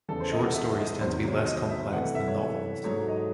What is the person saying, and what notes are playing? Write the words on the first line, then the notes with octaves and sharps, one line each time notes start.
Short stories tend to be less complex than novels.
E2 C#3 E3 A4
C5
D#5
F#5
E5
D#5
E2 C3 D#3 F#3 C5
C#5
D#5
E5
C3 E3 A3 F#5
E5
C#5
G#2 F#3 A3 C#5
D#5